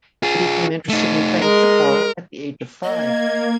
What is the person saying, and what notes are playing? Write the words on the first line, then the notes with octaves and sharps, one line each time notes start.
He became interested in playing football at the age of five.
F4 G#4
A3 D#4
G#3 A#4
A#3 D#5 G#6